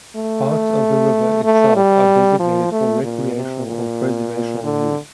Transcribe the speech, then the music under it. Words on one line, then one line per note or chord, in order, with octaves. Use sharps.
Parts of the river itself are designated for recreational or preservational use.
A3
A3
G3
F3
A3
A#2
C3
A#2
D3